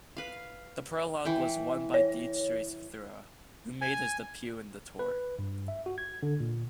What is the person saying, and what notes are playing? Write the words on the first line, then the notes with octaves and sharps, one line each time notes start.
The prologue was won by Dietrich Thurau, who made his debut in the Tour.
B4 F5
E3 G5
C#5
G#5
B4
G2
E5
F#4
G#6
D3
A#2